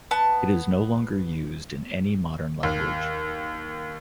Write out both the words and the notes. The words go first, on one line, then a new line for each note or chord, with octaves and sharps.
It is no longer used in any modern language.
B3 A5
D#2